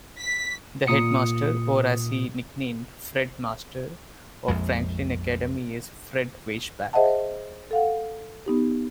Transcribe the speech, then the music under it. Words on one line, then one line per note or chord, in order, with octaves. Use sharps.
The headmaster, or as he is nicknamed, "Fredmaster", of Franklin Academy is Fred Weissbach.
B6
A#2 D#6 C#7
A#1 F2 G#3
G#4 C5 D#5 E5 F#5 A5
A4 F5 F#5
B3 D#4 G4